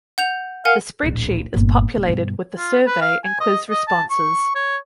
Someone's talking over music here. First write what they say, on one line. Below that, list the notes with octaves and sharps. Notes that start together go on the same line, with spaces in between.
The spreadsheet is populated with the survey and quiz responses.
F#5 G6 F7
A#4 F5 F#5 G#5
D1 A#1
G1 A#2
D#1
G2 B2
F4
B4
F5
G#5
D#5
D#5
A5
C#6
C#5